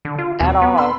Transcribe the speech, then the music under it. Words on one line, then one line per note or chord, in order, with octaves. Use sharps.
At all.
D3
F4
D#2 C3
B3
B5 C6 E6